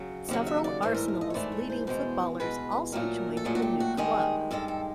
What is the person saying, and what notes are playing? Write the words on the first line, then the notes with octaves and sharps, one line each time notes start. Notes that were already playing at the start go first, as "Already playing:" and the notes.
Several Arsenal's leading footballers also joined the new club.
Already playing: C#3 F#3
D#2 C#3 F#3
E5
D5
G#2 E3 A3 C5
A#4
A#4
D#5
C#5
G#2 E3 A3 D5
C#5
C5
E2 B2 G#3 C5
E2 B2 G#3 B4
A#2 F#3 A3 A#4
A4
A#2 F#3 A3 G#4
F#4
G4
F#4
G2 D#3 G#3 G#4
G2 D#3 G#3 A4
A4